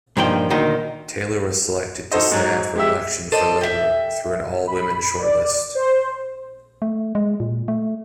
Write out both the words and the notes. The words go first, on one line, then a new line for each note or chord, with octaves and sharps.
Taylor was selected to stand for election for Labour through an all-women shortlist.
G2 A#2 D#3 F3 G5
D2 A#2 D#3 D#5
D#4 F#4 A4 C5 D#5
G#2 F#3
G#3 G4 E5
A4 C5 D5 D#5
E5 G5
B5
D5
C5
A3
G#3
A#2
A3